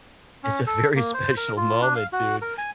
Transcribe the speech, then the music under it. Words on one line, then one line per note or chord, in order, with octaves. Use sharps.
It's a very special moment, dude.
C#4
A4
A#3
C5
A#4
F4
D4
F5
F#4
A#4
G#5